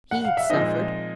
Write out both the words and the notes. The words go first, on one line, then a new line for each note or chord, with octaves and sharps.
He had suffered.
F#5
F5
E5
A#2 F3 G#3 C4 D#4 D#5